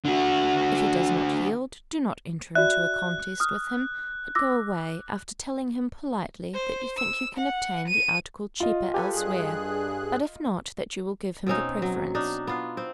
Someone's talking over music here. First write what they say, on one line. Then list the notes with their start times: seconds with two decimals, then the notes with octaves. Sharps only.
If he does not yield, do not enter into a contest with him, but go away, after telling him politely that you think you can obtain the article cheaper elsewhere, but if not, that you will give him the preference.
0.05 D3 F#4
2.55 F#4 D5 E5 F#6
3.40 D#6 F6
4.35 D6 E6 A#6
6.54 C5
6.97 E6
7.37 F#5
7.88 D#7
8.60 F4 D#5
8.94 G4 A4 B4 G#5
9.13 G2 G#4 F#6
11.47 B2 C4 C#4 D#4
11.82 F#3
12.15 D4 D#4
12.47 B3 F4
12.77 C4